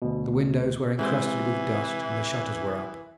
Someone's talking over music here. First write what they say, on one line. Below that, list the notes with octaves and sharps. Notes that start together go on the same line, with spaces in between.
The windows were encrusted with dust, and the shutters were up.
D2 B2
C3 E3 G#3 C5